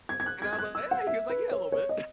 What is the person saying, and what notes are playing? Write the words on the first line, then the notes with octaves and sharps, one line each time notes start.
And I was like, "Yeah." He was like, "Yeah, a little bit."
G#6
G#6
F#6
G#6
G#6
F#6
E6
F#5
E5
B4
C#5
C#5
D#5